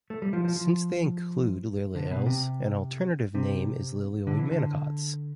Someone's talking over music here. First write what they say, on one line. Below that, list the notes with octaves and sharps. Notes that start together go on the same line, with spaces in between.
Since they include Liliales, an alternative name is lilioid monocots.
A3
G3
F3
F3
F3
D3
B2
C3
C3
D3
E3
D3